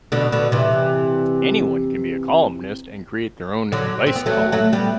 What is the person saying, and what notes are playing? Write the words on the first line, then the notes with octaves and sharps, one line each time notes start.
Anyone can be a columnist and create their own advice column.
B2 D3
B2 D3
C3 E3
D3 F#3
C4
B3
F#3 A3
F#3 A3
G3 B3